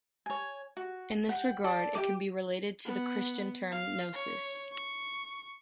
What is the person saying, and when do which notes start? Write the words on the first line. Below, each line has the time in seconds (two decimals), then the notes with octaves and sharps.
In this regard, it can be related to the christian term Gnosis.
0.26 C#5 G#5
0.77 F#4
1.29 F#5 G5
1.64 A4 D5
1.95 G4 E5 G5 D6
2.85 B3
3.72 F5
4.13 C#5
4.72 C#6